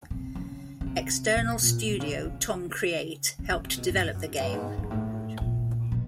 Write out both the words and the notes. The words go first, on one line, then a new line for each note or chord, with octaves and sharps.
External studio Tom Create helped develop the game.
C3
C#3
C#3
C3
B2
A#2
C3
C#3
D3
C#3
C#3
C#3
C3
B2
G2
F#2
G2
G#2
G#2
A2
A#2
B2